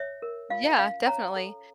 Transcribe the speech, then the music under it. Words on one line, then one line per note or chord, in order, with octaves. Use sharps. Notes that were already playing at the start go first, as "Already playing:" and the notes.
Yeah, definitely.
Already playing: C#5 E5
A#4
F4 F5
C#4 F5
C#5 A#5
A4